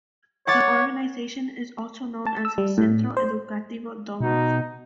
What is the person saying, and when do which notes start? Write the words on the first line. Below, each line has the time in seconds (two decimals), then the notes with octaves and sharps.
The organization is also known as "Centro Educativo Domus".
0.47 C#5 F#5 D6 A6
2.27 A5
2.45 E6
2.58 G3
2.78 A2
3.17 C5
4.21 B2 D#4